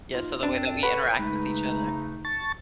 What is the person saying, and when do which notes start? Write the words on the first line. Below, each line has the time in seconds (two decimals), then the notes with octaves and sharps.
Yeah, so the way that we interact with each other.
0.13 A#3 D#4 F4
0.43 F#2 C4 D4
0.83 A4 B4 C#5 F#5
1.19 C#3 G#3 A3 D#4
2.25 A5 C#6 A6